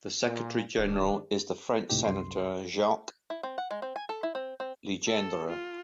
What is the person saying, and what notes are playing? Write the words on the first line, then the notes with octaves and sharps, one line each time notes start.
The Secretary General is the French senator Jacques Legendre.
A#2
D1 D#3 D4
C#2 A2 C3 D#4 G4
C2 F#2 C6
E4
C4
F#5
G#3
C4
G#5
A4
E4
C4
C4
A4
F4